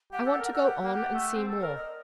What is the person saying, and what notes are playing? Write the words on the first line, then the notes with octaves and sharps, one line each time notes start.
I want to go on and see more.
G4 F#5
F#5
A4
D5
A#4 F#5
A4 F#5
G4
A#3
G4
A3
C4
A4
A#4 C5
D5
D#5